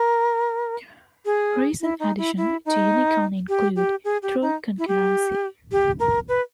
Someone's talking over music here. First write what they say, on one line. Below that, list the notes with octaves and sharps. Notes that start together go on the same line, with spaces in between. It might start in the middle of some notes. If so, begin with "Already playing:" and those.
Recent additions to Unicon include true concurrency.
Already playing: A#4
G#4
E4
D#4
E4
E4
D#4
G4
G4
G#4
G4
D#4
E4
G4
G4
A#4
B4